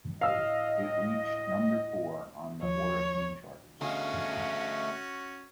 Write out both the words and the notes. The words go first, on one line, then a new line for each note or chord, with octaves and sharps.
It reached number four on the Oricon Charts.
A2 D#5 F5 E6
D#2 F3 C#5
D3 A3 C#4 F#4 G#4 D#5 F5